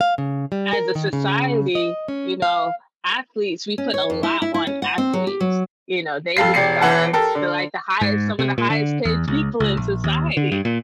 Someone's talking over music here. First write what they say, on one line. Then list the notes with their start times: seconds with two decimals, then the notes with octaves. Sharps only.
as a society, you know, athletes we put a lot on athletes, you know, they are, s like, the highest some of the highest paid people in society,
0.01 F5
0.18 C#3
0.52 G3
0.73 A#4
0.95 D#3
1.13 C#3
1.75 D#5
2.08 C#4
2.42 F5
3.78 C#4
3.94 C#5
4.10 F2
4.23 E4
4.42 E4
4.54 E4
4.67 C#4
4.82 F#5
4.98 C4
5.13 F#3
5.27 G4
5.40 F#3
6.37 F2 A4 F5 C7
6.54 E1 G4 D5 C7 C#7
6.81 E1 E3 F#5 A5
7.13 G4 A4 A#4
7.35 D3
8.01 G#2
8.39 C3
8.58 A#2
8.70 D3
9.05 E2
9.28 C#2
9.60 C#2
9.77 A#1
10.04 D#2
10.37 D3
10.52 G2
10.65 A#2